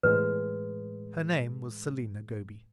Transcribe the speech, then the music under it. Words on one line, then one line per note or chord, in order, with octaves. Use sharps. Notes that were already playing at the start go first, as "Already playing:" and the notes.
Her name was Selina Goby.
E2 A2 G#3 B4